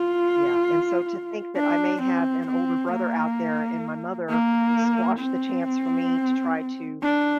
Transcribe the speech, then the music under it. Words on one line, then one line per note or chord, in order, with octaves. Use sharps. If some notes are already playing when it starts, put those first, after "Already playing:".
Yeah, and so to think that I may have an older brother out there, and my mother squash the chance for me to try to
Already playing: F4
D4
C4
C4
A#3
A#3
C4
D4